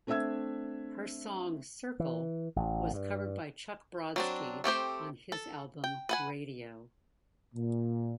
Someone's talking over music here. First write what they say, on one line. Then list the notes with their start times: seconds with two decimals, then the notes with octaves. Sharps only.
Her song "Circle" was covered by Chuck Brodsky on his album "Radio".
0.07 A3 C4 D4 E5 E6 G#6
2.00 E3
2.56 A1
2.93 G2
4.16 F#3 C4 D4
4.64 A3 C4 G4 C5
5.32 A4
5.84 G5
6.09 B4 F#5 G#5
7.55 A#2